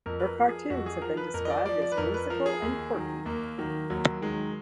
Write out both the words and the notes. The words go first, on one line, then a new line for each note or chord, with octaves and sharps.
Her cartoons have been described as whimsical and quirky.
F2 A#4
B4
A#4
F3
G#4
F2 F#4
G#4
F3 A#4
B4
F2 A#4
D#5
D5
F3 D5
D5
B4
F2 A#4
B4
F3 A#4
G#4
D#2
D#3 F#3
D#2 A#3
D#3 F#3
D#2 F#3
D#3 F#3 G#3